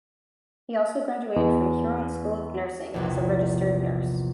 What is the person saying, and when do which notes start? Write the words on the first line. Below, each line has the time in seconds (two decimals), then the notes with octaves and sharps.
He also graduated from Huron School of Nursing as a registered nurse.
1.36 E2
2.94 A#1 E2 C3